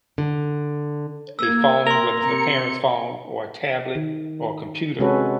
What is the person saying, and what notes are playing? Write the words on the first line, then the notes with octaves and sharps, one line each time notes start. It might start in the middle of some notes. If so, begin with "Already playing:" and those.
a phone, whether it's a parent's phone or a tablet or a computer,
D3
A#3 E6 G#6
A#4 C6 F7
C3 C#7
D#3
C3 G#3 C#4 F#4 A4 B4